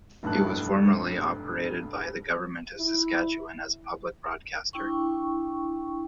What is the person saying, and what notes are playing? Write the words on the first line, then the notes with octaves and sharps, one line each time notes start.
It was formerly operated by the government of Saskatchewan as a public broadcaster.
F1 B1 G2 E4 A5 F#6
E4
D4 E4 G5 C#6